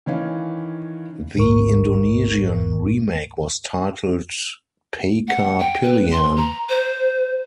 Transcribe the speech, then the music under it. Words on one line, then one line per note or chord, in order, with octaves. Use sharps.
The Indonesian remake was titled "Pacar Pilihan".
D#3 E3 C#4 F5
A1 D2 G#2 A#4 C#6
F#5
G5
B4
C6
A#5
C5